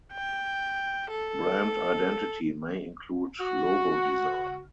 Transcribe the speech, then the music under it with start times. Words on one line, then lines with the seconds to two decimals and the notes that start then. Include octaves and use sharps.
Brand identity may include logo design.
0.13 G5
1.10 A4
3.40 F#4